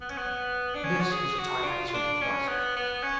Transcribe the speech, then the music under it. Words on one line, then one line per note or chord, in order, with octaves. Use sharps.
This is a time-consuming process.
B3
C#4
B3
D4
C#4
F#4
G#4
F#4
D4
F4
F4
D4
C#4
B3
B3
C#4